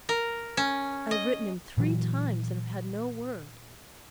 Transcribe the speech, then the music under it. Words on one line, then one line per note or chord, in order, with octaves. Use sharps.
I have written him three times and have had no word.
A#4
C#4
D#5
A#2 E3 F#3